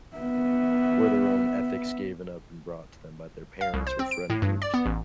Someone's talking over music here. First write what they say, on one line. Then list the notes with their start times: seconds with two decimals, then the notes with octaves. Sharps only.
or their own ethics given up and brought to them by their parents or friend groups,
0.17 B3 E5
3.61 F5
3.74 C2
3.87 C5
3.99 C4
4.11 D7
4.30 A2
4.42 G2
4.62 D5
4.74 B3
4.86 A1